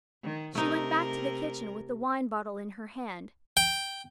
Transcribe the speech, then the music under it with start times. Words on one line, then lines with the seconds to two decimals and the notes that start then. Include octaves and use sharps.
She went back to the kitchen with the wine bottle in her hand.
0.23 D#3
0.55 C3 A3 D#4 A#4
3.57 G5